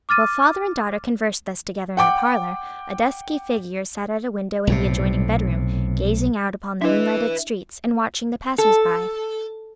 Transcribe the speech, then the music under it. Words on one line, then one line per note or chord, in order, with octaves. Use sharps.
While father and daughter conversed thus together in the parlor, a dusky figure sat at a window in the adjoining bedroom, gazing out upon the moonlighted streets and watching the passers-by.
D6 F6 A6 D#7
F#5 G5 D6
B1 A2 C3
D4 E4 B4 D#5 E5
A4